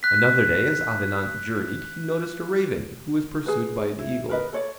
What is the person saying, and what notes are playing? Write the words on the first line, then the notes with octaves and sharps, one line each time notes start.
Another day as Avenant journeyed he noticed a raven who was pursued by an eagle.
F#6 B6
G#4 B4
E4
A#4 B4 D#5
A4 C#5 D5